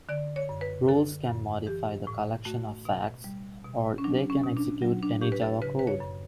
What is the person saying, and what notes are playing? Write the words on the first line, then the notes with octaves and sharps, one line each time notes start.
Rules can modify the collection of facts, or they can execute any Java code.
D3 D5
C#5
F#2
B4
D3 A4
F#2
E3 G4
A2
A3 F#4
B2
G3
B2
C#4
F#3 D4
C#4
B2
D4
F#3
D4
A2 G4
B4
A4
C#3 B4
B4
C#5
F#2